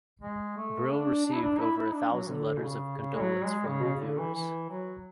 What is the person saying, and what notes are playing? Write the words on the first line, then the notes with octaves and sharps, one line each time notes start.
Brill received over a thousand letters of condolence from viewers.
G#3
A3
D4
D4
E4
D4
E4
E4
D4
F#3
D3
B2
C#3
C#3
G#3
F#3
G#3
C#3
B2
C#3
C#3
D3
E3
E3
F#3